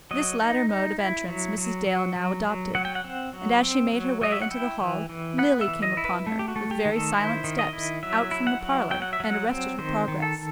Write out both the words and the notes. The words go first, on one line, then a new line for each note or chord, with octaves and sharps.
This latter mode of entrance Mrs. Dale now adopted; and as she made her way into the hall Lily came upon her, with very silent steps, out from the parlour, and arrested her progress.
F#3 D#5
D#4
D#4
E4
F#3
F#3
F#3
F#3
F#3
F#3 F#5
G5
F#5
C4
F#3
C4
F#3
F#3 D#5
E5
F#5
E4 G5
E3
E3
B3 F#5
E5
E3
D#5
E4
B4
A3
G4
F#4
A3
G4
D#3
A4
E4 C5
D#3
D#5
E4
F#3 E5
E4
F#5
F#3
F#3 G5
F#5
E5
F#3 F#5
C4
D#3 C5
D#3
A4